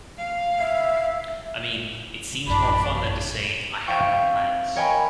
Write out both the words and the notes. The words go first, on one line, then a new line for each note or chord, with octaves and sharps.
I mean, it seems more fun than to say, 'I have no plans.
F5
E5
A1 F#2 D4 B5
C5 E5 F5 G5 C#6
C4
A#4 C#5 D#5 G5 G#5 B5